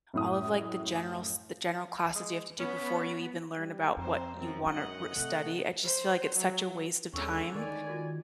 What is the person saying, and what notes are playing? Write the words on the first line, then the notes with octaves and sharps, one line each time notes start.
all of, like, the general s the general classes you have to do before you even learn about what you want to r study, I just feel like it's such a waste of time,
F#2 A2 D#6
G#3
B3 C#4
G3
F2 C4 C5 A#5
F#2 F3 C4
G#3 D#5 F#5
C3 D#3 A3 F#6
C5
F#3
D#2 D3 G#3 C#4 C#5 C#6 E6
D#3 D5 G#5
F4 F#4 G#6